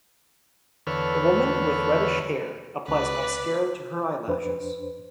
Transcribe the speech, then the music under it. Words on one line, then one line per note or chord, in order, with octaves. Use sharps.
A woman with reddish hair applies mascara to her eyelashes.
E2 D3 A4 B4 C#5 F6
C#2 B4 D5
F2 D4 B4 C5